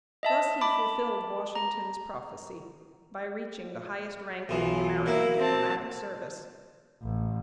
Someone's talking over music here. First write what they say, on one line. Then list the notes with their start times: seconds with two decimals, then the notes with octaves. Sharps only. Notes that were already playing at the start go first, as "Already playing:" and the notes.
Thus he fulfilled Washington's prophecy, by reaching the highest rank in the American diplomatic service.
0.23 D#5 E5 A5
0.61 A5 B5 D6
1.55 A#5
4.49 B1 F#2 E3 F4
5.06 F#3 A#3 E4
5.38 C4 A5
7.03 A1